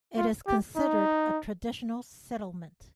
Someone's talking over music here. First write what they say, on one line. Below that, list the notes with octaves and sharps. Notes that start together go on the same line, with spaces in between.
It is considered a traditional settlement.
F4
G4
D#4